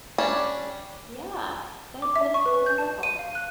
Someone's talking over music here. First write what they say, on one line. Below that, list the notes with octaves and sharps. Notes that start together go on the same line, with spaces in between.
Yeah, that that's so wonderful.
G3 C#4 D4
D6
E5
C#6
B4
G6
A5
D#7
F5
F#6